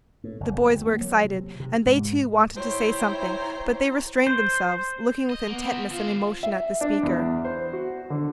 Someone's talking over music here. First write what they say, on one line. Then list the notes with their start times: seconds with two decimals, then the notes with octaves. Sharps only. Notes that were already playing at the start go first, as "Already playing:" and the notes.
The boys were excited and they, too, wanted to say something, but they restrained themselves, looking with intentness and emotion at the speaker.
0.24 A2
0.40 F#1
0.67 D2
0.87 A#3
1.01 F#3
1.24 C3
1.60 C3
1.86 G#2
2.56 E4 C5 C#5 G5 A#5
4.27 C5
5.30 D#5
5.47 A#3 B3
5.64 C4 E4
5.90 D3 F4 C5
6.43 E5
6.81 D4
7.03 E2
7.45 C5
7.73 F#4
8.10 D3